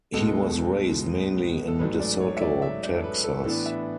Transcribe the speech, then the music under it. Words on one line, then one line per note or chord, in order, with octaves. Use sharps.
He was raised mainly in DeSoto, Texas.
C#2 B2 G#3 A4
A4
A1 G#2 F#3 A3 B4
D5
C#5
E5
D5
E5
D5
A4
B4
A4
A2 E3 B3 D4 A4
E5